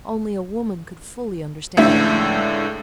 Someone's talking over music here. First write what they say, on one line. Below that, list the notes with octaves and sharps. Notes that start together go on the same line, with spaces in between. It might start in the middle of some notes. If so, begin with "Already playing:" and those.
Only a woman could fully understand what I mean.
C#2 A2 D3 E5